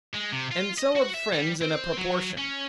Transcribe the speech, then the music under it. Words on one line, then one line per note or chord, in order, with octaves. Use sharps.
And so of friends in a proportion.
G#3
C3
F4
D#5
F#4
E5
G3
C4
F#3
C#4